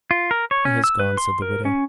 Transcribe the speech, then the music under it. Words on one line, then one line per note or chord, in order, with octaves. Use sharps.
"He has gone," said the widow.
F4
A#4
C#5
C#4
E6
B4
C6
A#4
C#4